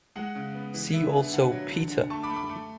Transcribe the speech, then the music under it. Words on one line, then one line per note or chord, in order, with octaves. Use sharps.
See also Peter.
G#3 F#5
C#3
B3
E3
B3 E5
D3
D3 F#5
F#3
D3
D3
A3 A5 C#6
B5 D6
A3
B5 D6
A3